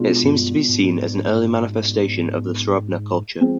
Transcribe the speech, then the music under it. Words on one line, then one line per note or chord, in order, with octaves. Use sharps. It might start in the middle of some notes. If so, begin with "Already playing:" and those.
It seems to be seen as an early manifestation of the Srubna culture.
Already playing: B2 G#3 D4 F4
G2
G#2
F3 G#3 C4 F4